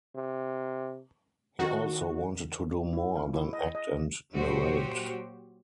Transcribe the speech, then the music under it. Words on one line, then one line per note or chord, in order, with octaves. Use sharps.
He also wanted to do more than act and narrate.
C3
D#3 F#4
E4
F5
E4
D#5
D#5
A#2 F#3 F#4 G4 C5